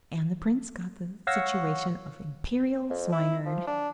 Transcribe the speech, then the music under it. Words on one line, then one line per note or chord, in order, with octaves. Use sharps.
And the Prince got the situation of Imperial Swineherd.
C#5 F5 F#5 C#6 E6 A#6
F2
E4
F3
D4